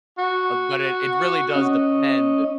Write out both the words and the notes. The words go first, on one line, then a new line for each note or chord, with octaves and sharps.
um, but it it really does depend
F#4
C#4 D#5